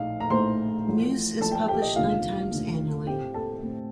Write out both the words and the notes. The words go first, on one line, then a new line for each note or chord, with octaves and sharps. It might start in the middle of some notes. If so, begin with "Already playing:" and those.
"Muse" is published nine times annually.
Already playing: A#1 A2 A3 D#4 F5
A#5
A#1 A2 A3 D#4 C5 C6
A1 A2 F3 A3
A1 A2 F3 A3 A4 A5
G5
A4 A5
G4 G5
D#5
F1 D#2 D3 A3 F4 F5
F1 D#2 D3 A3
A2 A3 C4 G4 G5
A4 A5
A2 A3 C4